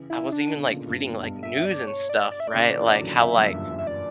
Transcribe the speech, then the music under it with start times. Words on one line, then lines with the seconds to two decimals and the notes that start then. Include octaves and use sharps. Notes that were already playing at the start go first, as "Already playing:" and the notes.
I was even, like, reading, like, news and stuff, right, like, how, like,
Already playing: C#3 E3
0.10 E4
0.32 D4
0.54 B2 D3
0.70 A#2 C#3
0.87 G2 B2
1.20 G2 B2
1.43 E5
1.65 D5
1.87 C#5
2.09 D5
2.32 D5
2.40 E5
2.47 D5
2.54 A#2 C#3
2.76 C#3 E3
2.98 D3 F#3
3.20 B2 D3 E5
3.37 F#2 A#2
3.53 E2 G2
3.70 F#2
3.78 E5
3.87 D5